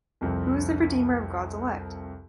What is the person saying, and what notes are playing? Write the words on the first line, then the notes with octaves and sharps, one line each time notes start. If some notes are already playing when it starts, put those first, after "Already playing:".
Who is the Redeemer of God’s elect?
C2 F2 C4